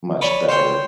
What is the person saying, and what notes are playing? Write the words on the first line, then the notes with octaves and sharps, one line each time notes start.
much better.
C#5 D5 G#5 B5 D6
C5 C#5 G5 C6